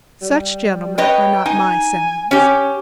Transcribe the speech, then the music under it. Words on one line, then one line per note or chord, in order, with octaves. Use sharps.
Such, gentlemen, are not my sentiments.
G3
B4 C#5 D#5 G5
D#4 G#5
C#4 G4 C#5